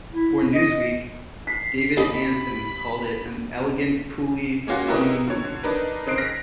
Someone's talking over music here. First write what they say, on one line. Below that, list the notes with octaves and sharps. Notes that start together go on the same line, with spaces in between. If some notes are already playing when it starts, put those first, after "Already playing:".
For "Newsweek", David Ansen called it an "elegant, coolly funny movie".
E4
D#5
B6 C7
D#2 D#4 G4 D#5 B5
G#3 A#3 C#4 F4 F#4
G#3 E4 G4 A#4 B4 D#5
D3 C#5
D4 D#4 A#4 B4
C#3 C4 D#4 F#6 C7 D7
F6 A#6 B6